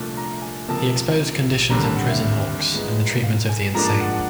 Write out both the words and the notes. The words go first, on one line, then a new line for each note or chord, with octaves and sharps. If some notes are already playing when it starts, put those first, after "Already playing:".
He exposed conditions in prison hulks and the treatment of the insane.
Already playing: C2 A#2 F3 A3 D4
A#5
G#5
C#2 C3 F3 A#3 A5
D#2 D3 G3 C4 A#5
A5
F#5
E5
E5
G#2 F3 G#3 B3 D#4
F5
G#5
G#2 F3 A#3 D4 A#5
A5
F#5
F#5